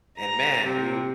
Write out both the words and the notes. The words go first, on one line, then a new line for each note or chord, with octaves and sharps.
And man, dude,
A#5
C3